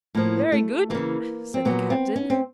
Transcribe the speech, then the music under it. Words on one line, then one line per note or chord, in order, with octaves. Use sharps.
"Very good," said the captain.
A2 F3 A#3
A3
C#3 E3 A#3
C4
A#2 F#3 B3
C4
C#4
C4